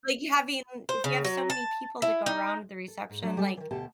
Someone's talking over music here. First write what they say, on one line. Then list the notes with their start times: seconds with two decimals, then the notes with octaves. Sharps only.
like you having if you have so many people to go around the reception, like,
0.89 C5
1.04 C#3
1.25 F#3
1.50 A5
2.02 E4
2.26 D#4
2.88 A4
3.09 G#2
3.22 F3 F#3 D4
3.37 G3 G4 A4 G#5
3.57 D#3 E3
3.71 D2 B2 G4 A5